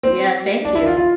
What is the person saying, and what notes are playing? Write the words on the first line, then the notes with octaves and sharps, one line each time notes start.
Yeah, thank you,
C4
D4
E4
F4
F4